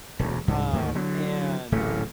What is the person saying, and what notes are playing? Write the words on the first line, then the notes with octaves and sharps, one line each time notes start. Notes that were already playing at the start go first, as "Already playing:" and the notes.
um, and
E1 D2
C2 G#2
D2 G#2 D#3 A#3
D3 F#3
D1 A1 A#2 A3